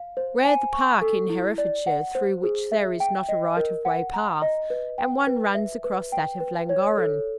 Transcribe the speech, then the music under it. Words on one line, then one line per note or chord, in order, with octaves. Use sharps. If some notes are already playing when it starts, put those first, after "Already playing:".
Rare the park in Herefordshire through which there is not a right-of-way path, and one runs across that of Llangorren.
Already playing: F5
C5
G#5
C#6
A4
E4
D5
F#5
C5
G#4
E5
G5
D#5
A#4
F#5
A#5
D#5
B4
G5
B4
E5
B4
G5
B4
C#5
A4